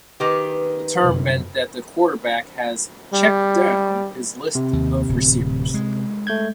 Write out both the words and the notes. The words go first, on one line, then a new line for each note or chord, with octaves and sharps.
The term means that the quarterback has "checked down" his list of receivers.
D#3 G4 B4
G1 F#2 C3
G3
C3
D#2
D1
G#3
A3 G6 G#6